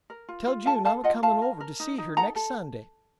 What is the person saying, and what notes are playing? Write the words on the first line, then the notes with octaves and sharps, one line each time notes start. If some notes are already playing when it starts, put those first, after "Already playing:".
"Tell June I'm a-comin' over to see her next Sunday."
A#4
F4
F4
A4 F5 A5
A4 F5 A5
F4 D#5 F#5
F4 F5 A5
A#4
A#4
D#4
D#4
A4 F#5 A#5
A4